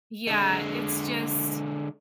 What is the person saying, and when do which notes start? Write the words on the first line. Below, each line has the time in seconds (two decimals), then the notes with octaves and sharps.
Yeah, it's just
0.27 D3 G#3